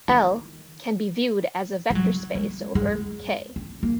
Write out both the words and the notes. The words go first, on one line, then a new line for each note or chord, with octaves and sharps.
"L" can be viewed as a vector space over "K".
D#3
G#3
F#3
G#3
G#3
C#4
A#3